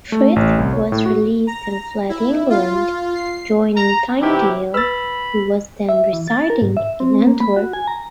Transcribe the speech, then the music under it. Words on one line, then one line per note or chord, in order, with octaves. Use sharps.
Frith was released and fled England, joining Tyndale who was then residing in Antwerp.
A3
A1
C2
C#5
A2
F#4
A#5
E4
F4
C7
A#5
C3 E3 F#3 E4 G4
B4 B5 E6 A6
E5
E3
A6
A#4
G#2
E5
C4
A#3
B5
F#4
G#5
A#5